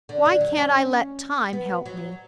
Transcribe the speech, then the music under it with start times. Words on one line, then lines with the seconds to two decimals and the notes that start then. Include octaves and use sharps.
Why can't I let Time help me?
0.09 D3
0.26 D3
0.41 F#3
0.57 C#4
1.53 B3
1.86 F#3